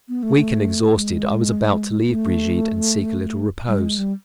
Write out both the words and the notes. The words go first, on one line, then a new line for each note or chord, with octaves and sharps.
Weak and exhausted I was about to leave Brigitte, and seek a little repose.
B3
A3
A3
G#3
A3
G3
G#3
G3